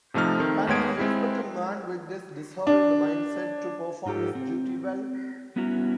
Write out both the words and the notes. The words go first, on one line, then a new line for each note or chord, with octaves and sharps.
Can we expect a man with this disheveled mind-set to perform his duty well?
C3 F3 A3 D#4 F6
D#3 A3 C4
D#2 G#3 B3 C#5 G#6 D7
G#3 C4 E4
D4
G#2 D#4 F4 G4 A4
C4
G3 B3 C#4 E4 F#4 A#5